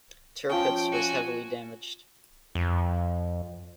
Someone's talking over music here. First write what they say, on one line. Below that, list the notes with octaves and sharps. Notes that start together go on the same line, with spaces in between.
"Tirpitz" was heavily damaged.
F3 C#4 G5
F#4 G#5
F2